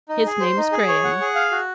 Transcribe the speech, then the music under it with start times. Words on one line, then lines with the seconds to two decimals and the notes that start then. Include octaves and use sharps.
His name's Graham.
0.09 D#4
0.26 G#4
0.41 C5
0.57 D#4
0.72 G#4
0.88 C#5
1.04 F#5
1.21 G#4
1.35 F5
1.52 F#4